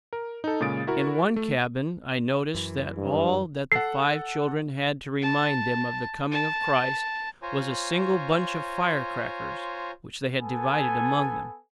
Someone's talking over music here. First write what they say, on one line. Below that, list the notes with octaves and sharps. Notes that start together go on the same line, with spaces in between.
In one cabin I notice that all that the five children had to remind them of the coming of Christ was a single bunch of firecrackers, which they had divided among them.
A#4
D#4 A4
A#2 C#3 G#3 D#6 A6 D7
E4 F#4 A#4
A3
F#2 E3
G2
A4 F#5 C7
A5
A5
F4 C5 C#5 G#5 A#5
B3 A4 G#5